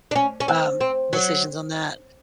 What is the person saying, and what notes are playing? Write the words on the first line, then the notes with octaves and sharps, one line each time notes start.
um, decisions on that,
D4
C#4
C#4
C4
C4
F#3